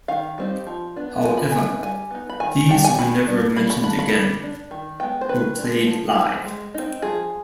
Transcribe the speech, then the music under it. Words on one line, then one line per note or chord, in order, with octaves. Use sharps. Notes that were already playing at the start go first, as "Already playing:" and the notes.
However, these were never mentioned again or played live.
D#3 F5
G3 C4 D#4
F3
B3 D4
F3 G#5
B5
B3 D#4 G#5
G3 G#5
B3 D#4
B5
D#3 G#5
G3 D4 G5
G#5
D#3 B5
G3 D4
G3 B5
B5
D4 B5
B5
G3 B5
D4
D#3
G#3 B3 G5
C5
D#3 B4
G#3 D4
F3
C4 D#4
G#3
C4 D#4
F3 G#4